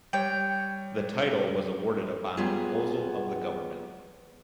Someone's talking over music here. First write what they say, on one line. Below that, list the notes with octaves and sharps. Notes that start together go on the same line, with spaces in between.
The title was awarded upon proposal of the government.
G3 C#5 G5
F#3 G3 B3 F4 G#4